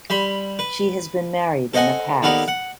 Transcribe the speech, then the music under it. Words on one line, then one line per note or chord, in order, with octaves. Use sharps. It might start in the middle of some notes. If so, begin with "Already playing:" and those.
She has been married in the past.
G3 B5 C6
B4
A4 C5 D#5 F#5 G#5
D#2 B3 A4 A#4 D5
F#5